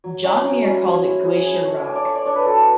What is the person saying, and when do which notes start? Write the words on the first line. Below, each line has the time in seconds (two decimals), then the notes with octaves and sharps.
John Muir called it Glacier Rock.
0.04 F#3
0.24 C#4 E4
0.44 F#3
0.64 C#4 E4
0.85 F#3
1.05 C#4 E4
1.25 F#3 G#4
1.35 F#4
1.45 C#4 E4 G#4
1.55 A4
1.65 A3 C#5
1.75 C#5
1.85 D4 D5
1.95 D5
2.05 A3 C#5
2.15 D5
2.26 D4 C#5
2.36 B4
2.46 F#3 A4